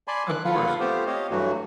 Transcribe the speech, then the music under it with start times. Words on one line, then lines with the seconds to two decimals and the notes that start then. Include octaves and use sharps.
Of course.
0.08 D5 G#5 A5 B5 C6
0.28 F#6
0.45 F4 A4 B4 F5 F#5
0.80 A3 B3 C4 F4 G4 C5
1.07 G4 C#5 D#5 F5
1.30 G2 E3 F#3 A3 F#4